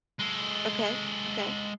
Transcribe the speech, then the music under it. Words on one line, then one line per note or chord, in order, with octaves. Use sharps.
Okay, okay.
G#3 A4